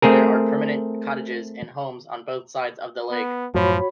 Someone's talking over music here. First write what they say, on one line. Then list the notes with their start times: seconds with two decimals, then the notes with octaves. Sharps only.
There are permanent cottages and homes on both sides of the lake.
0.02 A3 C4 G#4 A#4
3.11 B3
3.55 F#2 A2 F3 F#3 F#4 C#5 B5